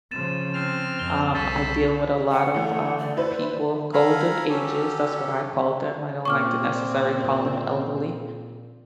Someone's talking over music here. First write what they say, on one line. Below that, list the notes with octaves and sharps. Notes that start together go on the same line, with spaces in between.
Um, I deal with a lot of, um, people of golden ages, that's what I call them, I don't like to necessary call them elderly.
C#3 F3 A6 D#7 E7
C4 F6
F2 G7
C2 A4 C5 B5 C#6 A6 B6
F#5
E3 A3
D5
E4 B4 C5
A4 A#4 F5 G#5 A#5 B5
F#3 C#4 G4 A4
A#2 C4 C#6 D6 F6